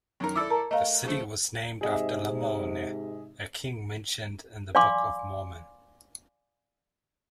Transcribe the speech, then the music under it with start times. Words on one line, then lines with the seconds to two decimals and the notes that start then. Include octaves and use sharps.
The city was named after Lamoni, a king mentioned in the Book of Mormon.
0.20 F#2 D#3 A#4
0.35 E4 A4 D5 D6 E6
0.50 A#4 A5 A#5
0.71 A3 A#4 D#5 F5
1.04 C#3 F3 A3
1.81 G#2 C3 G#4 D#5 E5
4.75 D5 F5 G#5 B5 C6 D6